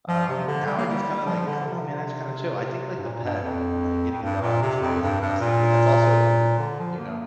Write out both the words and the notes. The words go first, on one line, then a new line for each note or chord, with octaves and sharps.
Um, now I just kinda, like I don't know, man, I just kinda chill. I think, like, the pet like, getting a dog is probably, like, the best thing, but that's also a commitment, you know?
F3
C3
D3
G3
A#3
G3
F3
D3
C3
G2
A#2
A#2
G2
F2
F2
G2
A#2
C3
F2
G2
G2
A#2
D3
F3
A#3